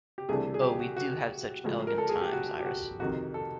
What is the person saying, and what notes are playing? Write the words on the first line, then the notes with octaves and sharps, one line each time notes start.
Oh, we do have such elegant times, Iris.
G4
C2 C3 E3 A3 D4 G#4
G#4
G4
F#4
F#4
A1 A2 F3 G#3
A#4
A4
G#4
G4
F#4
G4
F#4
F2 C3 D#3 F#4
A4